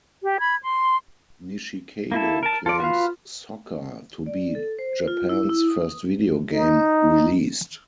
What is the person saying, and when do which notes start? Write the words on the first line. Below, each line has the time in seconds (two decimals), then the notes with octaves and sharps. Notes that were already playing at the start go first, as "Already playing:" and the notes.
Nishikado claims "Soccer" to be "Japan's first video game" released.
0.23 G4
0.39 B5 G#6
0.62 C6
2.12 A#3 E4 A4
2.43 A#4 A5
2.66 F4 A4 D5
2.80 F#4 B4 F5
4.26 D5
4.55 A4
4.79 C5
5.08 F4
5.29 E4
5.49 E4
5.67 D#6
6.53 D#4